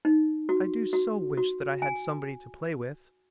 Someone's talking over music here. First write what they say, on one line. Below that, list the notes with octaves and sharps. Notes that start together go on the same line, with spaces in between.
I do so wish that I had somebody to play with.
D#4
F#4
F#4
F#4
G#5